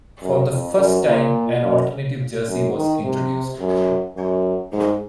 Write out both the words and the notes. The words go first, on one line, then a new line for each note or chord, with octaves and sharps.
For the first time, an alternative jersey was introduced.
F#2
F2
F#2
A#2
F#2
F#2
D#3
C3
F#2
F#2
G#2